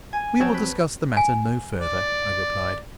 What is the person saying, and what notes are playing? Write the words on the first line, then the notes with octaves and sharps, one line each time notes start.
"We will discuss the matter no further," I replied.
G#5
F2 F#3 C4 C#5 G5 A5
B4
G#5
D5